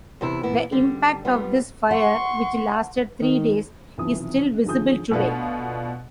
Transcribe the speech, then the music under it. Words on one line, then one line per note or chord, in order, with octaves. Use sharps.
The impact of this fire, which lasted three days, is still visible today.
E2 C3 E4
A#2 E3 B3 E4
D3 G3
G3 B3 F4
F#5 C6 C#6
D#3
B1 C3 E3 F3 D#6
G#1 D3 F3 G#4 D#6 G6
B2 A3 B3 D4 F4